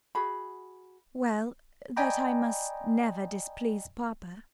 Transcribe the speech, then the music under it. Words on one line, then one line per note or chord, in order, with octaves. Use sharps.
"Well, that I must never displease papa."
F#4 G#4 B5
D5 D#5 G5 G#5 A#5 B5